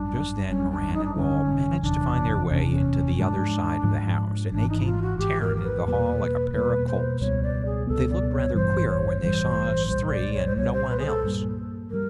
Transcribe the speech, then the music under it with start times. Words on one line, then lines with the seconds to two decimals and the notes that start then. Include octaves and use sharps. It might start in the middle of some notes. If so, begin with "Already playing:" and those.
Just then Moran and Wall managed to find their way into the other side of the house, and they came tearing into the hall like a pair of colts. They looked rather queer when they saw us three and no one else.
Already playing: G#1 F#2 G3 D4
0.48 G#1 F#2 D3 G3 C#4
0.71 D4
0.93 D#4
1.04 D4
1.15 G#1 F#2 D3 G3 C#4
1.82 F#1 E2 C3 E3 D4
2.50 F#1 E2 C3 E3 C#4
2.69 C#4
3.16 G#2 F3 G#3 D4
3.84 G#2 F3 G#3
4.51 G#1 G#2 E3 D4
4.69 D#4
4.80 E4
4.85 F4
5.02 F#4
5.18 G#1 G#2 E3 G4
5.41 A#4
5.57 A#4
5.63 B4
5.86 E2 B2 G3 A#3 B4
6.53 E2 B2 G3 A#3 B4
6.87 C5
7.20 C#2 B2 G3 B3 C#5
7.43 D5
7.66 G#4
7.87 C#2 B2 G3 B3 A4
8.10 D5
8.32 C#5
8.54 A1 G2 E3 G3 C5
8.88 C#5
9.22 A1 G2 E3 G3 C5
9.89 C2 A#2 G3 C5
10.11 D5
10.34 C#5
10.47 C5
10.56 C2 A#2 G3 C#5
10.73 C5
10.90 B4
10.99 G#4
11.06 A4
11.23 G2 E3 G3 A#3
11.91 E3 G3 A#4